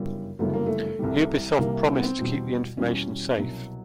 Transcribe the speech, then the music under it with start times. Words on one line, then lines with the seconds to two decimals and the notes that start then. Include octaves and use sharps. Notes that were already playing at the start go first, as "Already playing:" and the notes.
Ubisoft promised to keep the information safe.
Already playing: G1 F#2 C#3 E3 G3
0.39 G1 F#2 C#3 E3 G3 A3
0.53 A#3
0.67 A3
0.99 C2 C3 E3 G3
1.59 C2 C3 E3 G3 A#3
1.88 C4
1.96 B3
2.03 C4
2.18 E2 B2 G3
2.77 E2 B2 G3 C#4
3.37 C2 B2 F#3